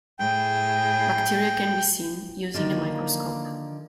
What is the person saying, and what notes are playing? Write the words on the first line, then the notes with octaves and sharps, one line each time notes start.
Bacteria can be seen using a microscope.
A2 G#4 G5
D3 D#3 F3 A#3